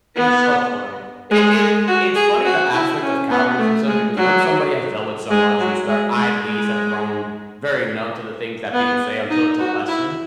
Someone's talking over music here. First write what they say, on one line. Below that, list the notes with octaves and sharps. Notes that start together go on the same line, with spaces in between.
It's so funny. It it it's funny, the aspect of cowardice and such, because once somebody has dealt with so much, you start I at least have grown very numb to the things that people say until it's a lesson.
B3
G#3
G#3
F#4
G#4
F#4
E4
C#4
B3
A3
G#3
F#3
G#3
F#3
G#3
G#3
G#3
B3
D#4
F#4
E4